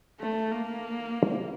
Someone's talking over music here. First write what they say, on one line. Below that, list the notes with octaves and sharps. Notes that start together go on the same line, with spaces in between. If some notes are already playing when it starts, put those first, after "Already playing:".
Where there no such beings, men would not die.
A3
A#3